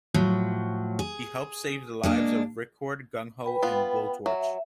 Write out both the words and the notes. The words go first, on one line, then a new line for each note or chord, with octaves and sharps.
He helps save the lives of Ripcord, Gung-Ho and Blowtorch.
A2 F3 F#3
G#4
G#3 A#3 D4
B4 G5 B5
B3 F4
F#3 E5